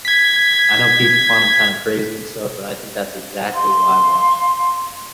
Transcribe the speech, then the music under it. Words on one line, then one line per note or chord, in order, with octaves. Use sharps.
I know people find him kinda crazy and stuff, but I think that's exactly why I watch
G#6 B6
F5 C6